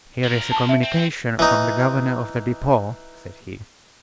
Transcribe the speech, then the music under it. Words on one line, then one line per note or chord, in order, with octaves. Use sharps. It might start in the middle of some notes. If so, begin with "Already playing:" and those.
"Here is a communication from the governor of the Depot," said he.
F3 A#4
A5
E5
C4
E3 D#4